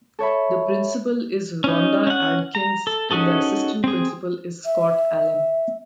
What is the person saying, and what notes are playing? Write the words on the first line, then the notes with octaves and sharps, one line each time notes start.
The Principal is Ronda Adkins and the Assistant Principal is Scott Allen.
A4 C#5 E5 B5
C#4 D#4
C#4 F#5
A#5
A4
C#4 D#4 F#4 G#4 A4
C4 G#4
E5